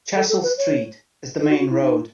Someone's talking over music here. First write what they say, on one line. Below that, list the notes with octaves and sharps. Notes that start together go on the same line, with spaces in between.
Chessel Street is the main road.
A4
A4
B4
C#5
A4
F#4
F#4
E4
D#4